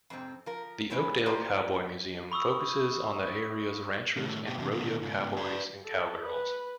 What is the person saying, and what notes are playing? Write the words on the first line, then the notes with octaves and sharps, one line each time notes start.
The Oakdale Cowboy Museum focuses on the area's ranchers and rodeo cowboys and cowgirls.
F2 G#2 C3 C4
F3 A#4
F#3 G#3 B3 C#4 D#4 E4
A#3 F4 G4 B4 C5 D5
B5 C#6 D#6 E6
A2 D#3
B2 G4
E2 C3
B2 D#3
C#2 G#2
B4 D5
A4
B4